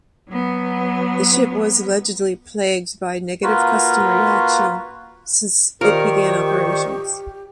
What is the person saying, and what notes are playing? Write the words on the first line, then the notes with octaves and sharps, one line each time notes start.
The ship was allegedly plagued by negative customer reaction since it began operations.
F#3 B3
A#3 F4 F#4 B4
D#3 F4 G4 A#4 C5 D5 C#6